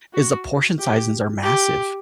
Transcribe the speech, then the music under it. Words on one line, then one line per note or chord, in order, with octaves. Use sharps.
is the portion sizes are massive,
F#4
G4
G4